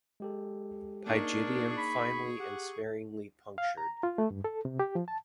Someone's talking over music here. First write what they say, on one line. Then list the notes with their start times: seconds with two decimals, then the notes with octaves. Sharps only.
Pygidium finely and sparingly punctured.
0.20 G#3 G4 A4
1.06 A#3 D4 D#4 G#4 A#4 C#6
1.77 B5
2.40 G4 F#5
3.58 F5
3.77 A#5
4.03 F4
4.18 A3
4.31 G2
4.44 A4
4.65 C3
4.80 G4
4.95 F3
5.08 A5